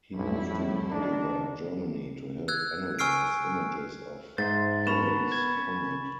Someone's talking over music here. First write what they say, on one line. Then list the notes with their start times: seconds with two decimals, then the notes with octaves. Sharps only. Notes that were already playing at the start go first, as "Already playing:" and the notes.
He moved to Heidelberg, Germany, to help analyse images of Halley's Comet.
0.14 B1 F2 G3 E4
0.48 A2
0.92 D#3 D4
2.48 E6 F#6 G#6
2.99 G#5 C#6 E6 F6 C7 D7
4.38 G#2 C5 E5 C6 A6
4.87 B3 A#4 A5 B5 C#6 E7
5.32 G#6
5.57 C#4